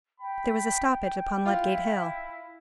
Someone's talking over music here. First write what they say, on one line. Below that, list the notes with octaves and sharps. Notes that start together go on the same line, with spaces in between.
There was a stoppage upon Ludgate Hill.
G5 B5
E4 F4